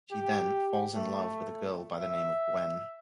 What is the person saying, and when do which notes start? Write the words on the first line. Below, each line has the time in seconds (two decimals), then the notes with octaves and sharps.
She then "falls in love" with a girl by the name of Gwen.
0.12 G4
0.95 A3
1.98 E5